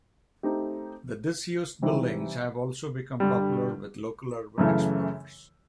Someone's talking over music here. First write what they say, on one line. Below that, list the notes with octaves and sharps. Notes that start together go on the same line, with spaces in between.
The disused buildings have also become popular with local urban explorers.
A3 C4 D#4 G4
C3 E3 G3 C4 D#4
G2 D3 G3
F#2 C#3 E3 A3